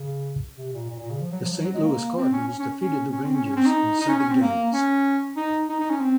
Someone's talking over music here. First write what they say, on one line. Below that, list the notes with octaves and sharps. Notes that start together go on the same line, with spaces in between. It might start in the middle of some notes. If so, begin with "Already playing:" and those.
The Saint Louis Cardinals defeated the Rangers in seven games.
Already playing: C#3
C3
A#2
A#2
A#2
C#3
F3
F#3
F3
F#3
F#3
G#3
A#3
C4
C#4
C#4
C#4
C#4
C#4
C4
C#4
C#4
C4
D#4
D#4
C#4
C#4
C4
A#3
C#4
D#4
D#4
D#4
C#4
C4